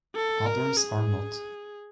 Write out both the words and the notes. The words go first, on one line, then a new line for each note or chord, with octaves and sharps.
Others are not.
A4
A#4
G#4